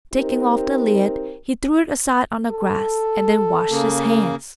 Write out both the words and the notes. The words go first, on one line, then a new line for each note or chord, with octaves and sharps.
Taking off the lid, he threw it aside on the grass and then washed his hands.
C4 D#4 G4 A#4
A4
C#3 A#3